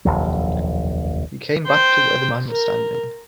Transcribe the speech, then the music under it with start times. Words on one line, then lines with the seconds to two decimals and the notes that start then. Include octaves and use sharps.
He came back to where the man was standing.
0.05 F1 A#1 D#2 F#3
1.66 C5 G5
2.51 A#4